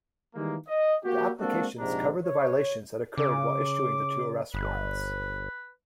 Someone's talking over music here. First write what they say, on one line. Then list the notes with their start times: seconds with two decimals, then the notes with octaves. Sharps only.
The applications cover the violations that occurred while issuing the two arrest warrants.
0.35 D#3 E3 G3 G#3 A#3
0.68 D#5
1.04 A#3 F#4 G4
1.40 G#3 A#3 C4 D4 F#4 A4
1.79 A#1 G#2 C3 G#3 D4 A#5
2.26 C#5
3.18 C#3 D6
4.54 G1 B4